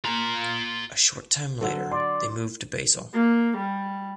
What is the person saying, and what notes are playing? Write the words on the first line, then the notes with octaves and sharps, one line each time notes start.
A short time later they moved to Basel.
F4 A#5
D3 F#3 A4
D5 C6
A#3
G3